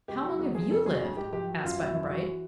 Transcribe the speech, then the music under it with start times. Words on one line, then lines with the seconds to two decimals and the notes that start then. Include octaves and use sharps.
"How long have you lived?" asked Button-Bright.
0.08 C#2 G4
0.24 F#3 F#4
0.39 E2
0.55 F3 G#4
0.70 F2 A4
0.86 F#3 G#4
1.01 D2
1.17 G#2 G4
1.33 F3 G4
1.48 F#3
1.64 F#2 F4
1.79 F#3 E4
1.94 F#2 E4
2.10 E3 F#4